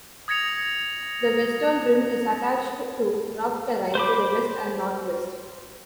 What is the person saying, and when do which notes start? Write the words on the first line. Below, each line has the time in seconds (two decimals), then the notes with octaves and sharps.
The western rim is attached to rough terrain to the west and northwest.
0.28 D#6 G#6 A#6 C#7 F7
3.95 C5 B5 D6